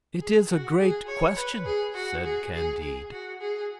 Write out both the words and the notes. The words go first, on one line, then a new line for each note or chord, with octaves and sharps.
"It is a great question," said Candide.
G#4
F#4
G#4
C#5
B4
G#4
F#4
G#4
G#4
G#4
F#4
G#4